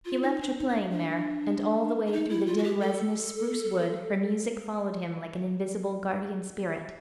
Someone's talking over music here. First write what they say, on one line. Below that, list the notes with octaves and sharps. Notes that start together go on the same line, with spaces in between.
He left her playing there, and all the way through the dim resinous spruce wood her music followed him like an invisible guardian spirit.
F4
D#4
D4
D#4
D4
D4
D4
D#4
E4
F4
F#4
G4
A4